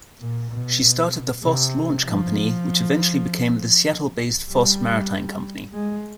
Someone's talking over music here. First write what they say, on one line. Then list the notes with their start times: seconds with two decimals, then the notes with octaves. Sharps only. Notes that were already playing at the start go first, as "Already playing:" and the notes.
She started the Foss Launch Company, which eventually became the Seattle-based Foss Maritime Company.
0.20 A#2
0.51 B2
1.43 C3
2.05 F3
4.51 G3
5.73 G#3